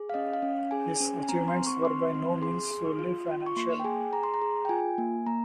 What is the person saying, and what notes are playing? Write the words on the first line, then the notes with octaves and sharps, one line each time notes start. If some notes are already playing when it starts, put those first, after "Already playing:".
His achievements were by no means solely financial.
Already playing: G#4
F5
C#4 D#5
F5
C#4
G#4 G#5
C#4
G#5
C4 A#5
C6
C4
C#6
C4 C6
C4
G#4 C6
G#4
F4
F4
C#6
A#3 C6
G5
G#4 G#5
G#4 A#5
C6
A#5
G#4
G5
F4 G#5
A#3
A#3 A#5